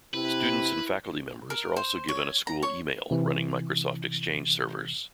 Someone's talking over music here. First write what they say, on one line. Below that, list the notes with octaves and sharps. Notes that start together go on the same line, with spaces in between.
Students and faculty members are also given a school email, running Microsoft Exchange Servers.
C3 E4 B4
A#4
C5
C#5
A#5
C#5
C3 E3